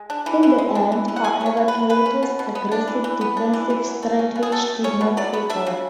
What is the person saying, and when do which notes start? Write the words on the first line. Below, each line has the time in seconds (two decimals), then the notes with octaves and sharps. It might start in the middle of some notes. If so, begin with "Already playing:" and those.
In the end, however, Toyoda's aggressive defensive strategy did not pay off.
Already playing: G#3
0.10 D4
0.26 E3
0.43 E3
0.58 G#3
0.75 D4
0.92 E3
1.08 E3
1.16 F#5
1.24 G#3 G#5
1.41 C#4
1.46 C#5
1.57 B2
1.68 B4
1.73 B2
1.90 G#3 B4
2.06 C#4
2.23 B2
2.39 B2
2.55 B3
2.72 D4
2.88 E3
3.04 E3
3.21 B3
3.37 D4
3.54 E3
3.70 E3
3.86 F#3
4.03 A3
4.19 C#4
4.36 B2
4.43 G#4
4.52 F#3 A4
4.68 A3
4.84 C#4 C#5
5.01 B2
5.17 F#3 D5
5.34 B3
5.50 D4 E5
5.66 C#3